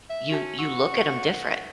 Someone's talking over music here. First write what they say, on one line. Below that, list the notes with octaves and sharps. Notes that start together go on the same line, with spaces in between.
you you look at him different.
E5
C#4 D#4 F#4 A5
F#4 C#6 E6